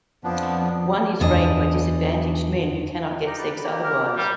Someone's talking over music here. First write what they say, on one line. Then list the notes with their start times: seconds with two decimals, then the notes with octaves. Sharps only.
One is rape by disadvantaged men who cannot get sex otherwise.
0.24 F2 F3 B3 D4
1.20 E2 D4 D#5
3.26 D#4 G4 A#4
3.38 B4 D5
3.64 A#3 G4
3.84 A#4
4.17 G3